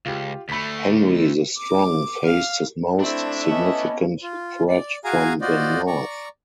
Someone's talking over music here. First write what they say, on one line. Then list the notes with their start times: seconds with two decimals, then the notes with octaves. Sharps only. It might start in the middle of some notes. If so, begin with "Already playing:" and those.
Henry the Strong faced his most significant threat from the north.
0.06 C#2 F4 G4
0.49 D2 A3 B5 B6
1.57 D6
2.26 F5
2.99 A3 C4 D4 E4 E5
3.48 B3 C#4 E4 D#5 A5 D6
4.23 F4
4.69 D5
5.05 F#4 G#4 F5 G#5 A#5
5.41 F4 F#4 C5 D5 D#5
5.87 D5 A#5 C#6